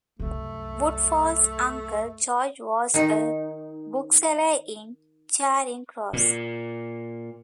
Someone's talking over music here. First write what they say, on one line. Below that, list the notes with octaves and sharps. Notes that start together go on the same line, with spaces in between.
Woodfall's uncle George was a bookseller in Charing Cross.
C2 F#2 A3
D#3 D#4
A#2